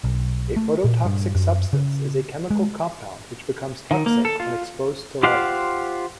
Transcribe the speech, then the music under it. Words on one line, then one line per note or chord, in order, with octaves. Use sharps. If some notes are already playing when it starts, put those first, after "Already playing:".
A phototoxic substance is a chemical compound which becomes toxic when exposed to light.
B1
A3
A#2
G2
F#2
C#3
G#3
D#3
A#3
A4
F4
F4 G4 C5 F5 F#5